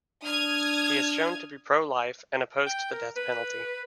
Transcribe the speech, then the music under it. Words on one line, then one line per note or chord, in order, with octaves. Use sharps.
He is shown to be pro-life and opposed to the death penalty.
D4 D#6 F6 G#6
G5
A#4
B4